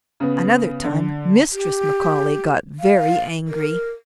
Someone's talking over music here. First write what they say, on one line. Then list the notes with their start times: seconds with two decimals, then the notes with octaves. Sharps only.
Another time Mistress McCaully got very angry.
0.20 C#3 B3
0.84 D3
1.52 G4
2.80 F5
3.47 A#4